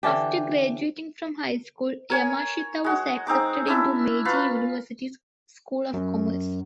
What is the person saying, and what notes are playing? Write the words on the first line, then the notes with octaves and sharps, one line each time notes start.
After graduating from high school, Yamashita was accepted into Meiji University's School of Commerce.
D3 E3 D4 G4
A#4 C#5 G#5
G#3 F#4
G#3 C4 D#4 D6
C#4 D4 E4 E5
F4 B4 A#5 C#6
F#2